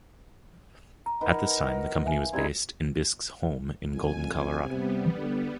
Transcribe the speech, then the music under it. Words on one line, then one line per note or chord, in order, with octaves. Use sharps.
At this time, the company was based in Bisque's home in Golden, Colorado.
A#5
D#3 A#4 B4 D#5 F#5
E5 F5 G#5
F3 G3 C4 D#4 A#5 G#6
F2 G#5
C3 G3 B3
D3